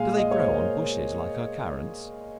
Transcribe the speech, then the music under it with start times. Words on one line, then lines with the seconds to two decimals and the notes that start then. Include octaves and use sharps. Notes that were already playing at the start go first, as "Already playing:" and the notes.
Do they grow on bushes like our Currants?
Already playing: A#2 G#3 F5 G#5
0.17 D#5
0.31 C#5
0.39 C5
0.48 A#4